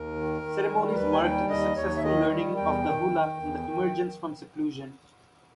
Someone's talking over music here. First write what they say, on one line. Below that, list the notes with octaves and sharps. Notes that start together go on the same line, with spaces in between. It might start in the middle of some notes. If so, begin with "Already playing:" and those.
Ceremonies marked the successful learning of the hula and the emergence from seclusion.
Already playing: D#2 A#4
D#3
D#3
G3
A#4
D#2 B4
G#5
G3 G5
D#2 D#5
D#2 C#5
E5
D#3 D#5
G3
E2 G5
D#3
D#3
E2
D#3